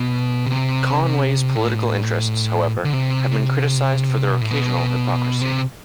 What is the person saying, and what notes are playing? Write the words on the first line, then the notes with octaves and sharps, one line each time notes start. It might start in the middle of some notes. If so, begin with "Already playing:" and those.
Conway's political interests, however, have been criticized for their occasional hypocrisy.
Already playing: B2
C3
A2
D3
C3
B2
A2
B2
C3